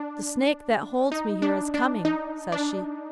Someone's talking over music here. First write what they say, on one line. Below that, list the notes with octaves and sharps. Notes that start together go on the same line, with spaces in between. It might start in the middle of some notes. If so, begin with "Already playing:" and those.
"The snake that holds me here is coming," says she.
Already playing: D4
D#4
D4
D4
D#4
D4